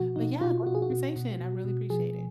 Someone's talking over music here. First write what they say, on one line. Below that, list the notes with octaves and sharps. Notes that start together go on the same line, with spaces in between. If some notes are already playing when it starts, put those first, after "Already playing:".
But, yeah, gr conversation. I really appreciate it.
Already playing: B2 F3 F#4
B2 D#4
B2 F4
B2 F#4
G#4
F#4
B2
B2
B2
B2
F3 G#4